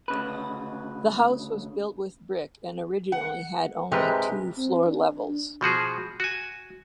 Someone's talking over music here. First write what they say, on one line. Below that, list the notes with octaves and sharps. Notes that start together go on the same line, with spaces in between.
The house was built with brick and originally had only two floor levels.
D2 C#3 B4
F#5
G#2 C3 G#3 G4 A#4 B4
C4
D4
B2 F3 F#4 G#4
F#4 G#5